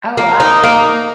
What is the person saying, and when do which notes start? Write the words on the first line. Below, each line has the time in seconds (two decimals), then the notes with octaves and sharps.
Oh, wow.
0.17 A#3
0.40 D#4
0.64 A#3